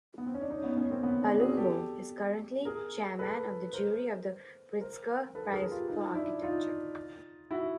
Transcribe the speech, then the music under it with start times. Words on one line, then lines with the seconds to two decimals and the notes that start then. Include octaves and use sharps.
Palumbo is currently chairman of the jury of the Pritzker Prize for Architecture.
0.18 B3
0.26 C4
0.34 C#4
0.42 D4
0.50 C#4 D#4
0.63 B3 C#4
0.77 B3 C#4
0.90 A#3 C4
1.03 B3 C#4
1.22 C4 D4
1.39 F#4 G#4
1.57 G4 A4
2.65 G#4 A#4
3.19 A4 B4
3.73 A#4 C5
4.81 A#4 C5
5.35 A4 B4
5.52 G#4 A#4
5.71 F4 G4
5.88 D#4 F4
6.15 D4 E4
6.43 D#4 F4
7.51 E4 F#4